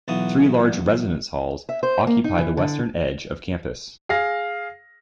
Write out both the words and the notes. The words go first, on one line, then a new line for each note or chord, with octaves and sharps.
Three large residence halls occupy the western edge of campus.
B1 E3 F4 F#4 D#6
E5
C5
A#3
D#4
E3
D3
G#4 F5 A#6